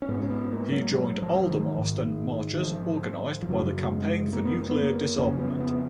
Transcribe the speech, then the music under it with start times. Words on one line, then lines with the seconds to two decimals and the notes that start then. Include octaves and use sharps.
He joined the Aldermaston marches organised by the Campaign for Nuclear Disarmament.
0.02 C#4
0.09 G#2 B3
0.20 C#4
0.30 B3
0.51 A#3
0.72 F#3
0.94 F#3
1.22 F3
1.35 F#3
1.42 F3
1.51 D#3
1.78 G#2
2.54 D#3
2.63 F3
3.42 F3
3.49 F#2 C#3 F#3
3.91 G#3
4.33 A#3
4.45 B3
4.57 A#3
4.70 B3
4.82 A#3
5.18 F2 C#3 C#4
5.39 B3
5.60 B3